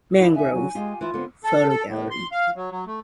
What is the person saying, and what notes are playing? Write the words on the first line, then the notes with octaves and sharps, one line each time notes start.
Mangroves: photo gallery.
D#2 E4 D5
E5 G#5
F#3
G#3 F4 G4
E3 E4 F4
D3 B3 C4
A4
A4
A2
C6
F5
F#3
F#3
A3